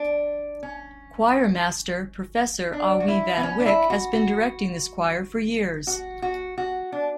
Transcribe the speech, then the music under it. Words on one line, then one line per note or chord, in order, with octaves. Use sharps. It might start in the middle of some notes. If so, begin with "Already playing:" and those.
Choir master prof. Awie van Wyk has been directing this choir for years.
Already playing: D4
C#4
D4
F#4
E4
B3
C#4
D4
E4
F#4
F#4
F#4
F#4
F#4
D4